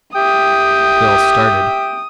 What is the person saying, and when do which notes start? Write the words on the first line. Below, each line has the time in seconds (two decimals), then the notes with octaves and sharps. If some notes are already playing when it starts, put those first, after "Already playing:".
Phil started.
0.15 G4 E5 G5 D#6